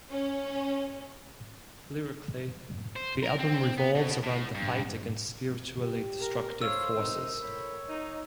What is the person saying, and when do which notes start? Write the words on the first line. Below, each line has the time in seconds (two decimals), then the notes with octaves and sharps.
Lyrically, the album revolves around the fight against spiritually destructive forces.
0.10 C#4
2.96 C5
3.23 A#4
3.39 C4
3.78 B3
3.95 B2
4.23 A2
4.55 G2
5.81 G4
6.21 A#4
6.62 C5 C#5 F5 E6
6.96 C3 D#4 A#4
7.43 A2 C5 C#5 B5
7.88 D#4